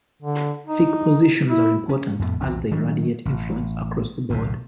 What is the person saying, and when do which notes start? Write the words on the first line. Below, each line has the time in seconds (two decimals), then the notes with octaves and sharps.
Thick positions are important as they radiate influence across the board.
0.22 D3
0.66 D#4
1.49 E4
1.89 C#4
2.19 F2 A2 B3
2.41 B1 E2 C4
2.71 D#3 F#3 D4
3.25 A1
4.29 D1 B1 E2 C3